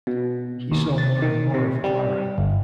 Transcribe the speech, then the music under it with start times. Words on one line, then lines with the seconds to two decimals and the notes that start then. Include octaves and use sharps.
He saw more and more of Clara.
0.07 B2
0.71 D#2
0.98 A6
1.22 D#3
1.54 C3
1.84 G3
2.38 G1